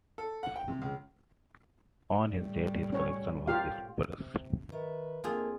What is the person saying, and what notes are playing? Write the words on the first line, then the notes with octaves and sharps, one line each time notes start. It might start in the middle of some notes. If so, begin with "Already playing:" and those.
On his death his collection was dispersed.
A4
F#5
G5
C3
C#2
A2 G3
C#4 C#5
A2 F4 G4 F5
C3
D#3 B4 E5
F2 A3 A#3 F4 G#4